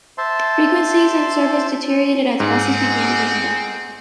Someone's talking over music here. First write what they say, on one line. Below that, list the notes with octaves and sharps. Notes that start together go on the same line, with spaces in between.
Frequencies and service deteriorated as buses began breaking down.
C5 E5 A5 C6
G#2 C4 G#4 F#5